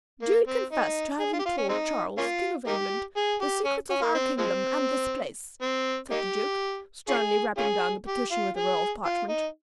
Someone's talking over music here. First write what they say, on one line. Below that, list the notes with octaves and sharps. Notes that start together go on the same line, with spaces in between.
"Do you confess to having told Charles, King of England, the secrets of our kingdom and this place?" said the duke, sternly rapping down the petition with a roll of parchment.
A#3
C4
D#4
G#4
F4
G4
F4
C#4
G#3 C4 D#4
A#3 C#4 F4
A#3 D#4 G4
G#4
G4
C#4
C#4
A#3
C4
F3 G#3 C4
C4
A#3 D#4 G4
C#4 F4 G#4
C#4 F4 G#4
G4
F4
G#4
F4
D#4